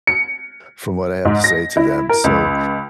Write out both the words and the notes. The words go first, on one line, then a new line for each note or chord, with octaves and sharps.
from what I have to say to them.” So,
C#7
G#2
A#6
E4
A#4
C#2